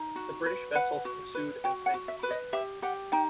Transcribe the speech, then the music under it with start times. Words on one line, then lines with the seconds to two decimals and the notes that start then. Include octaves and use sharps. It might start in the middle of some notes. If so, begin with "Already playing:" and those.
The British vessels pursued and sank the ship.
Already playing: D#4
0.16 F#4
0.46 B4
0.75 B4 F#5
1.05 F#4
1.35 B4
1.64 F#4 G5
1.86 F#5
1.94 F#4
2.08 E5
2.23 B4
2.31 D#5
2.53 G4 E5
2.82 G4 F#5
3.12 D#4 G5